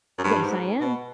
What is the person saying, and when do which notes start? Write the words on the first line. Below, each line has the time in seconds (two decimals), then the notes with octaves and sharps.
Yes, I am.
0.18 F#2
0.24 G2
0.42 G#2
0.81 B2